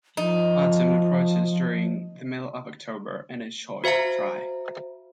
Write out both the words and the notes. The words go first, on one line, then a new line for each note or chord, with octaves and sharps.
Autumn approaches during the middle of October and is short, dry.
F3 D#4
F#4 C5 E5 F5 A#5